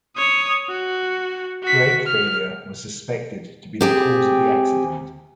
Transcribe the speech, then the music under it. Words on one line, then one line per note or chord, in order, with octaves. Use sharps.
Brake failure was suspected to be the cause of the accident.
C#5 D#6
F#4
F#4 B6
F6
C4 G4 G#4